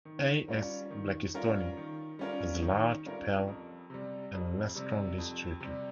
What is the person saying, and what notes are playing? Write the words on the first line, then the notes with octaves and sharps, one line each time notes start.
"A. s. blakistoni" is large, pale and less strongly streaked.
D#3
G3 C#4 F4 A#4
D#3
G3 C#4 F4 A#4
D#3
G3 C#4 F4 A#4
D#3
G3 C#4 F4 A#4
F2
C3 G3
F2
C3 G3
F2
C3 G3